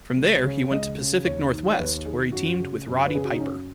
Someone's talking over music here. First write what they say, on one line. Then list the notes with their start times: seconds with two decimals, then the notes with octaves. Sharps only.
From there he went to Pacific Northwest where he teamed with Roddy Piper.
0.17 C#2
0.43 C#3 C#5
0.71 C#2 D#5
0.98 C#3
1.25 D#2 C#5
1.51 D#3
1.70 C#5
1.78 D#2 B4
2.06 D#3 G#4
2.32 F#2 F#4
2.59 C#3
2.87 F#2
3.07 B4
3.13 C#3 G#4
3.24 F#4
3.33 D#4
3.40 F#2 C#4